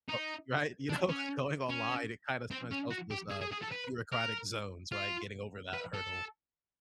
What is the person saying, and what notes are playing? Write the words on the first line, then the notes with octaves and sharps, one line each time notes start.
oh Right, you know, going online, it kind of sometimes helps with those, uh, bureaucratic zones, right? Getting over that hurdle.
D#4
D4
C#4
C#4
C4
C#4
F#4
G4
G#4
G#4
G#4
A4
B4
A#4
F4
B4
A4